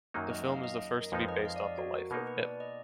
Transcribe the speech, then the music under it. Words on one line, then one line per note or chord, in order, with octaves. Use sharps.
The film is the first to be based on the life of Ip.
F#2 D#3 F#3 A#3 D#4
D#5
F5
D#5
A#4
F2 F3 G#3 D#4 B4
D#5
F5
D5
D#5
F#4
A#4
B2 A#3 D#4 B4
B4
D5
D#5